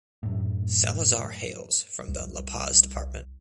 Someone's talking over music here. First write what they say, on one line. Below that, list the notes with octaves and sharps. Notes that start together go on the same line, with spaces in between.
Salazar hails from the La Paz Department.
F#2 A2
C2